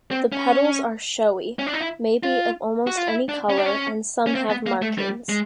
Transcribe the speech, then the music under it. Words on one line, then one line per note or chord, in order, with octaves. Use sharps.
The petals are showy, may be of almost any color and some have markings.
C4
C#4
C#4
D4
D#4
E4
F4
F#4
F4
E4
D4
C#4
D4
C#4
C#4
C4
B3
A#3
A3
G3
G#3